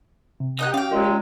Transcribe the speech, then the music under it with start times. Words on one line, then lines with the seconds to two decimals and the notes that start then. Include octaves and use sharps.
I don't really
0.40 C3
0.59 D#4 D#5 F#5
0.74 C#4 F5 G5
0.91 A#2 F#3 G#3